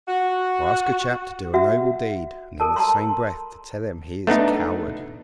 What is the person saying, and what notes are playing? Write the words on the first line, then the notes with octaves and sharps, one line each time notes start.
To ask a chap to do a noble deed and in the same breath to tell him he is a coward!
F#4
F#4 E5 F#5
A4 A#4 A5
A5 A#5 C6
A3 B3 D4 D#4